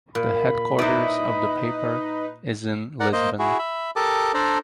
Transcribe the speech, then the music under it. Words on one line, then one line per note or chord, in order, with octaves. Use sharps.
The headquarters of the paper is in Lisbon.
A#2 B5
D#4 E4 B4 C5 D5 D#5
A#4 D5 F#5
A#3 C5 D#5
E4 F#4 G#4
E5 B5
G4 A4 A#4 A5 D6 D#6
D4 A4 C5 D5 A#5